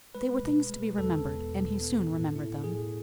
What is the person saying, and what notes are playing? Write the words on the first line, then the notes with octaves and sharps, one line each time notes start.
They were things to be remembered; and he soon remembered them.
G#3 B4
B2
G#3
E2 A4
B3
B2
B3
A2
E4
A2 G#4